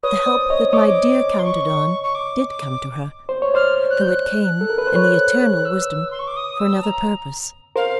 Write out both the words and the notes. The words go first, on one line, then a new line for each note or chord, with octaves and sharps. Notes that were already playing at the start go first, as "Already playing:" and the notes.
The help that my dear counted on did come to her, though it came, in the eternal wisdom, for another purpose.
B4 C#5 D#6
C5 D5
C#5 D#5
D#6
C#5 D#5 D6
C6
C#6
C#6
D6
D6
C5
C#5
C5 D5 F6
F#6
G6
F#6
A4
A#4
B4
C5
B4 C#5
E6
C6
C#6
D6
D#6
E6
A5
A#5
A#4 C5 F5